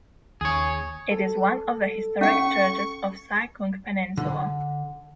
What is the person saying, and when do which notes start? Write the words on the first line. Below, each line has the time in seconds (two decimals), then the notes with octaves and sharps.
It is one of the historic churches of Sai Kung Peninsula.
0.41 D#2 G#4 C#5
1.11 A4
2.21 C#4 F5 C#6
4.17 D3